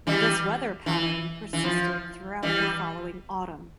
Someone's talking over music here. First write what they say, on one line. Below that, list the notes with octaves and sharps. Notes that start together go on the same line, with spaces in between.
This weather pattern persisted throughout the following autumn.
E3 G3
E3
E3
F3
E3 G3